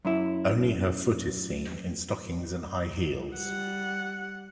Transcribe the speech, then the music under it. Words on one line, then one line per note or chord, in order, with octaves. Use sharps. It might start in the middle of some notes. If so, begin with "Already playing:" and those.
Only her foot is seen, in stockings and high heels.
F#2 E4
G3 F#5